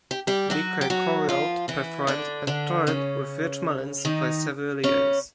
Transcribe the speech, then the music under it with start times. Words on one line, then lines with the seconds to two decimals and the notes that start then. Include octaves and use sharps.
Beaker co-wrote, performed, and toured with Rich Mullins for several years.
0.11 G4
0.27 G3 G4
0.50 F#3 F#4
0.81 G4
0.90 F#3 F#4
1.29 F3 F4
1.68 E3 E4
2.07 D3 D4
2.47 D3 D4
2.87 C#3 C#4
4.05 D#3 D#4
4.84 C#3 C#4